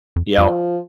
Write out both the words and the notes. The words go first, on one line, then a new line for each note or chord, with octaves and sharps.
you know,
F2
F2 F3